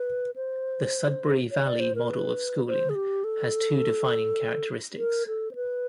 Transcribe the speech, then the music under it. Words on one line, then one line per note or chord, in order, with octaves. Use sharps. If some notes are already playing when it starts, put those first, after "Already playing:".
The Sudbury Valley model of schooling has two defining characteristics.
Already playing: B4
C5
C#5
D5
C5
A#4
B4
C5
G#4
G4
A4
A#4
A4
C5
B4